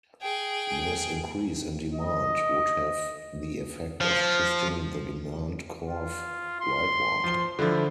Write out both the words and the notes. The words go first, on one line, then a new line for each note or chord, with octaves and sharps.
This increase in demand would have the effect of shifting the demand curve rightward.
G#4 G5
D#5
F3
F4
C6
F3 G7
D3 F3 E4